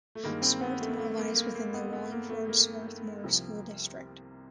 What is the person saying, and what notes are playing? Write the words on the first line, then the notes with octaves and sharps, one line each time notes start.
Swarthmore lies within the Wallingford-Swarthmore School District.
A3
G2 D#3 G#3 A#3
C4
B3
A3
A3
A#3
A#3
A#3
B3
B3
A#3
A3
A#3
C2 C3 F3